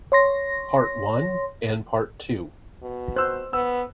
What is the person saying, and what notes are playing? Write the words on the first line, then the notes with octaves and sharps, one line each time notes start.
Part One and Part Two.
C#5 C6 A#6
B2
C5 E6 F#6
B3 E6